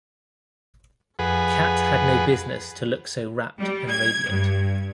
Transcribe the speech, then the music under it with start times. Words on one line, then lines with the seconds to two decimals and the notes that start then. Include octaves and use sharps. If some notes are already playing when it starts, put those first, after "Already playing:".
Kat had no business to look so rapt and radiant.
1.19 F2 G#4 B4 F#5
3.58 G3
3.89 G#6
4.29 G2